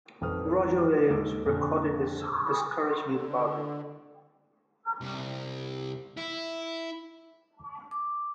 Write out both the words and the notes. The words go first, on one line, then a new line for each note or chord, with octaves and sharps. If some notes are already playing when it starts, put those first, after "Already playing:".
Roger Williams recorded his discouragement about it.
G#1 F2 B4 D#6 F6
D#2 G#2 A4 D6
F2 A#2 D3
D3
C2
E4
D6